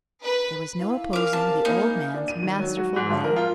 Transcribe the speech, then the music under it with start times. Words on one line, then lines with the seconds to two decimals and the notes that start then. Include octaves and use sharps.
There was no opposing the old man's masterful way.
0.21 B4
0.80 E4 F5 A5 D6
1.13 C#4 A#4 C5 F5 D6
1.33 C3 A5
1.65 A#3 D#4 E4 G#4
2.14 D4
2.28 D#7
2.43 D#3
2.59 F#3
2.77 F#4
2.96 G#2
3.10 F3
3.24 A#4
3.36 F4